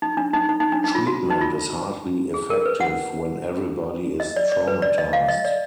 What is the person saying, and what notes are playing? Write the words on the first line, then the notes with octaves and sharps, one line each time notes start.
Treatment is hardly effective when everybody is traumatized.
D#4
D4
D#4
D#4
D#4
D4
D#4
F4
F#4
D#4
F4
G#4
A#4
B4
F#5
D#5
D5
D5
B4
D5
D#5
F5
D#5
D5